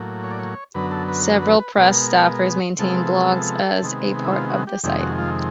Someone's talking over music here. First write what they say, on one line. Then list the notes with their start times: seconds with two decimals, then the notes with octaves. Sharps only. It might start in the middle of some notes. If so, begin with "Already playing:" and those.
Several "Press" staffers maintain blogs as a part of the site.
Already playing: A2 F#3 A#3
0.24 C#5
0.31 D5
0.39 C#5
0.75 F#2 D3 F#3 B3 B4
0.91 A4
1.09 B4
1.26 A#4
1.42 B4
1.59 B4
1.77 B2 G#3 B3 A#4
2.79 C3 F3 G#3 B3 A4
3.82 C3 D#3 G#3 B3
4.25 E4
4.33 F4
4.49 F#4
4.67 G4
4.84 F2 C3 D#3 G#3 G4
5.01 F#4
5.18 F4